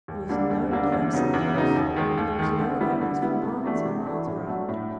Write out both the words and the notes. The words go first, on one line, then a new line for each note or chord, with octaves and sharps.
There was nobody else in the house, and there was no other house for miles and miles around.
D#2
D3 G3 A#3 D4
D#2
D3 G3 A#3 D4
E2
C#3 F#3 B3 D#4
E2
C#3 F#3 B3 D#4
D#2
D#3 G#3
D#2
D#3 G#3
D3
G3 B3 E4
D3
G3 B3 E4
C3
E3 A3 D4 F#4
C3
E3 A3 D4 F#4
A2
F#3 A3 D4 F#4
A2